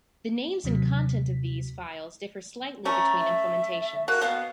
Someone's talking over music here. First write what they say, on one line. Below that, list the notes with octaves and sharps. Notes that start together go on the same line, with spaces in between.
The names and content of these files differ slightly between implementations.
D#2 C3 F#3 B6
A3 C#4 A#5
E5
A#3 F#4 F#6
B2 B3 F5